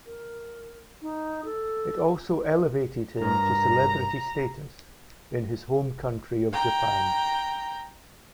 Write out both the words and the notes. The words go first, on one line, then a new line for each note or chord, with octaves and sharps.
It also elevated him to celebrity status in his home country of Japan.
A#4
D#4
A4
G2 A#4 A#5
G5 A#5